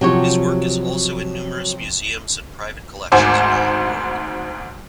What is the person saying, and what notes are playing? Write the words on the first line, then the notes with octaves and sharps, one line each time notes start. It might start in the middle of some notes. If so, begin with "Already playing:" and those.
His work is also in numerous museums and private collections around the world.
C3 F3 F#3 G4 C#5
G#1 D2 G#2 C5 G#5 D6